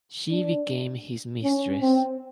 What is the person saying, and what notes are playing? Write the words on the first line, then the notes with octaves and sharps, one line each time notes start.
She became his mistress.
D4
C#4
C4